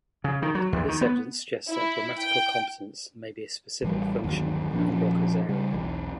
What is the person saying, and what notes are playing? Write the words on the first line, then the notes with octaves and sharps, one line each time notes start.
This evidence suggests that grammatical competence may be a specific function of Broca's area.
C#3
D#3
F#3
D#2
D#3
B3
E4
G5
A1 E3 G3
G1 D#2 D#3 F#3
F1 A#2 F3 D4
D#1 A#2 F3 C#4
C#3 G3
E1 B1 E3